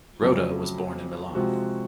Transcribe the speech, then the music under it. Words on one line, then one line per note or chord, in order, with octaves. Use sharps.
Rota was born in Milan.
F2 C#3 F#3 A3
C3 F3 G#3 F#4